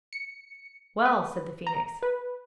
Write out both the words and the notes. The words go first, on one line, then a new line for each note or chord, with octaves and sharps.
'Well!' said the Phoenix.
C#7
B4
A#5
B4